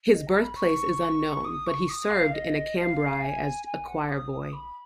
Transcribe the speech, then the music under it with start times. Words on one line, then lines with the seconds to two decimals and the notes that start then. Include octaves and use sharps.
His birthplace is unknown, but he served in Cambrai as a choirboy.
0.12 D#5
0.27 A#5
0.41 B5
0.56 C#6
1.45 D#6
1.67 C#6
1.89 D#6
2.11 F5
2.32 D#5
2.77 F5
3.21 G#5
3.66 G#5
3.87 F#5
4.09 D#6
4.53 B5